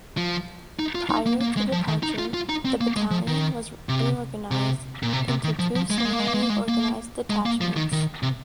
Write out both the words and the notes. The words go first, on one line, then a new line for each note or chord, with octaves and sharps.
Prior to departure the battalion was reorganized into two similarly organized detachments.
F3
D#4
F4
D#4
A#3
A#3
G#3
F3
D#3
D#4
F4
F4
D#4
C4
A#3
G#3
F3
D#3
C3
C3
A#2
C3
C3
D#3
F3
F3
G#3
A#3
G#3
A#3
G#3
A#3
G#3
A#3
G#3
A#3
G#3
A#3
F3
D#3
D#3
C3